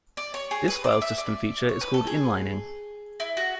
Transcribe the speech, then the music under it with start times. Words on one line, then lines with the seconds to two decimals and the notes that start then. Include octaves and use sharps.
This file system feature is called inlining.
0.17 D5
0.34 C#5
0.51 G#4
0.68 B4
0.84 D5
1.01 E5
1.18 D5
1.69 C#5
1.81 B4
1.94 A4
2.07 G#4
3.20 E4
3.37 F#4